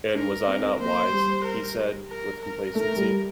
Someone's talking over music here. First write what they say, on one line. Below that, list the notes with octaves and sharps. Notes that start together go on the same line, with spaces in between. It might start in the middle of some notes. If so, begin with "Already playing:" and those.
"And was I not wise?" he said, with complacency.
D4 A#4
C4
A#3 C5
G3
A#4
A#4
A#4
A3 A#4
G3